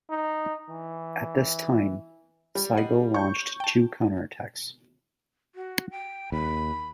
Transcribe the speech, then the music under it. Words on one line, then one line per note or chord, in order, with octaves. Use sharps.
At this time, Sigel launched two counterattacks.
D#4
E3
G3
D#5 F#5 C7
C#5 C#6 G6
G5 A5
F#4
G5
D#2 B5